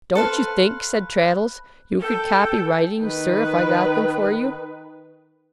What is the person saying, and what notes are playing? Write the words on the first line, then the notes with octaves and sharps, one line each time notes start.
'Don't you think,' said Traddles, 'you could copy writings, sir, if I got them for you?'
A4 B4 C5 F5
A4 G5
D#3 B4